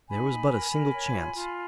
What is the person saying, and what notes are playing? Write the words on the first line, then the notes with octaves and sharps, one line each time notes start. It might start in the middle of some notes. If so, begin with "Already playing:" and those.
There was but a single chance.
D#4 G#5 B5
D#4
A#4
A#4
C#5
F4
F4